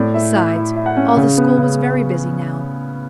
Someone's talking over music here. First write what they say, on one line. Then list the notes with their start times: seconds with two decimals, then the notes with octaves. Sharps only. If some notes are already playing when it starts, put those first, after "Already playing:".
Besides, all the school was very busy now.
Already playing: A2 D5
0.14 E4 E5
0.35 E4
0.56 E4
0.75 E4
0.86 F#5
0.97 C#4
1.17 C#3
1.38 B3
1.58 C#3